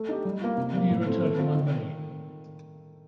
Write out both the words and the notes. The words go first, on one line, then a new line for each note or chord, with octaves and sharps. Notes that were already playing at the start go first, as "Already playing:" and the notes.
When are you returning my money?
Already playing: A3
D#4 G4
G3
A#3 F4
C3
G3 A#3
A2
A3 C4
A3
C4 F4 A4
D#3